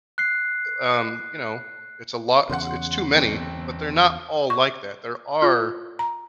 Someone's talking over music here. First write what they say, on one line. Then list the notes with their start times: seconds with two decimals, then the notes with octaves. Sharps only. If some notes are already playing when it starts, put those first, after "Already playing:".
y um, you know, it's a lot it's it's too many, but they're not all like that. There are
0.18 F#6 C7
2.50 E2 C#3 F#5 C6
3.14 G1 C4
4.50 C#6
5.42 F4
5.99 A#5